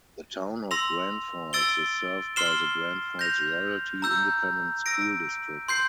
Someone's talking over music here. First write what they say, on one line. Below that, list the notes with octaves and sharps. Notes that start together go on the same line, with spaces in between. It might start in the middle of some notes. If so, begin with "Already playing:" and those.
The Town of Grandfalls is served by the Grandfalls-Royalty Independent School District.
C6 E6 A#6 F7
E6 A6 D7 G7
C6 F6 C7 E7 G7
G6 A#6 F7
A#5 E6 G6
E6 A#6 D7
C6 G6 C7